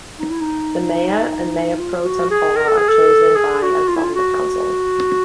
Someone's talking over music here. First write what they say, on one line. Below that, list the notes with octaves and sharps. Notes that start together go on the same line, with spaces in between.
The mayor and mayor pro tempore are chosen by and from the council.
D#4
E4
D#4
F4
F#4
G#4
A#4
A4
G#4
A4
G#4
F#4
F4
E4
F4
F#4